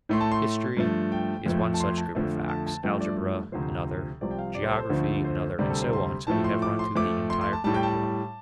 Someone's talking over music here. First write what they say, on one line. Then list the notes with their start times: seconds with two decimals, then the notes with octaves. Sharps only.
History is one such group of facts; algebra another; geography another, and so on till we have run through the entire curriculum.
0.09 A2 A3 C6
0.21 A5
0.32 C6
0.77 G2 F3 A3
1.12 G5
1.46 F2 F3 A3
1.74 A5
1.80 C6
1.97 A5
2.15 F2 D3 F3 A3
2.49 A5
2.67 A5
2.83 G2 F3 A3 G5
3.00 D5
3.52 D2 C3 F3 C5
4.21 C2 C3 F3 D5
4.31 G5
4.39 F5
4.55 D5
4.63 C5
4.71 A4
4.78 C5
4.90 D2 D3 F3 A3
5.24 C5
5.58 D2 C3 G3 D5
5.70 A4
5.82 C5
5.93 C6
6.27 A2 F3 A3 A5
6.44 C6
6.62 D6
6.79 C6
6.96 F2 F3 A3 D6
7.30 C6
7.41 C6
7.53 A5
7.64 A2 G3 A5
7.74 G5
7.83 A5